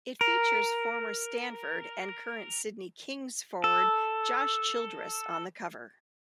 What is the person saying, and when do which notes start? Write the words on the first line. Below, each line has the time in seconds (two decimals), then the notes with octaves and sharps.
It features former Stanford and current Sydney Kings forward Josh Childress on the cover.
0.21 A#4
3.64 A4